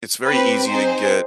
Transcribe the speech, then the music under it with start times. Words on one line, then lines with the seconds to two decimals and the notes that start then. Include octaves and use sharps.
it's very easy to get
0.25 C4 G4 B4
0.66 C4 D#4 G#4 C5